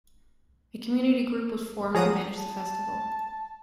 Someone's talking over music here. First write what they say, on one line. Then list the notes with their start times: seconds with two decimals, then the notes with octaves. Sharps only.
A community group was formed to manage the festival.
1.95 F3 G#4 C#5 F#5 A#5 D#6
2.38 A5